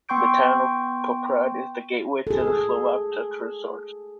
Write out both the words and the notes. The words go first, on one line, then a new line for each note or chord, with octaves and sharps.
The town of Poprad is the gateway to the Slovak Tatra resorts.
B3 G5 C6 C#6 G6 D7
G#4 A4